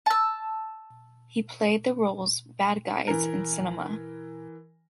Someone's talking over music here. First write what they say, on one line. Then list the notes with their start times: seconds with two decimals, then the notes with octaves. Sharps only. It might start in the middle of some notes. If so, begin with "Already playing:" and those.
He played the roles bad guys in cinema.
0.06 A5 E6
3.07 E3 A#4